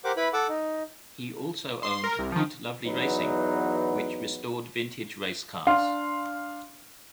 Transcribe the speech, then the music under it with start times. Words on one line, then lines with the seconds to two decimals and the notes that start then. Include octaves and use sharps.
He also owned "Pete Lovely Racing" which restored vintage race cars.
0.04 G4 A#4 C5 F#5 D6
0.17 E4 B4 B5
0.33 A4 F#5 D6 E6
0.49 D#4
1.83 C6
2.04 A#4
2.19 C2
2.32 D#3 F3
2.86 E2 F#3 B3 D#4 B4
5.67 D4 F5 C6